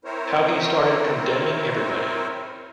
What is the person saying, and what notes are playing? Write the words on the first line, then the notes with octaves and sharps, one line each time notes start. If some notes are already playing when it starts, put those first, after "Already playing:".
How he started condemning everybody.
C4 E4 A#4 C5 C#5